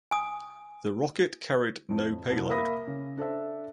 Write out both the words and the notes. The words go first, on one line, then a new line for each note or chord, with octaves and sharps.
The rocket carried no payload.
G#5 D#6
F2 A2
C2 F2
A#3 A#4 E5 B5 D#6 A#6
C#3
D4 A4 C5 E5